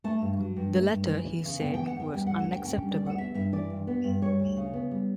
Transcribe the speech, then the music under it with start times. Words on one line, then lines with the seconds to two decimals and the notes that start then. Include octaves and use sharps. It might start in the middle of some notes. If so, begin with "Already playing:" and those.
The latter, he said, was unacceptable.
0.04 A3 A5
0.22 G2
0.39 F#3
0.57 G2
0.74 A3
0.91 G2
1.09 E3
1.27 E2
1.44 C#3
1.61 B3 G5
1.74 E3 G5
1.87 F#5
1.96 E2 G5
2.13 G3 G5
2.26 F#5
2.31 D2
2.39 F#5
2.48 D3 G5
2.65 C#4 G5
2.83 G3
2.91 D5
3.00 D2
3.06 F#5
3.18 B3 E5
3.34 G2 E5
3.52 E3 D5
3.70 G2
3.87 B3
4.04 G2
4.22 G3 C#5
4.40 D2
4.57 C#3
4.74 B3
4.91 G3